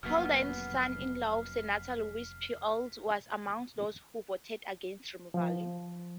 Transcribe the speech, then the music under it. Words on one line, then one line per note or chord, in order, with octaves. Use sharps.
Holden's son-in-law, Senator Lewis P. Olds, was among those who voted against removal.
F1 F#2 B2 A#3 B3 F6 B6 C7
F3